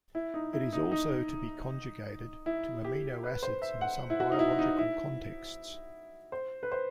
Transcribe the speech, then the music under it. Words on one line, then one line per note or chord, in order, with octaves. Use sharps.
It is also be conjugated to amino acids in some biological contexts.
E4
D#4
E4
D#4
D#4
E4
G4
B4
C5
E5
F#5
E4
F#4
D#4
E4
D#4
E4
C5
B4
C5